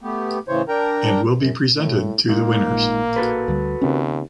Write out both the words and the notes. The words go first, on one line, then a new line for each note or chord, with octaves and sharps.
And will be presented to the winners.
A3 B3 G4
A2 C#3 E3 C5 C#5
D4 A#4 G5 A#5
F#2
A2
G#2 A#3
A1 A#2
F#4 A4 B4
D2 D3 G3
D#2 C#3 C4 C#4